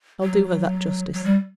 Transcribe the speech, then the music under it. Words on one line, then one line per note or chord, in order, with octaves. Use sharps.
I'll do her that justice.
F#3
F#3
G3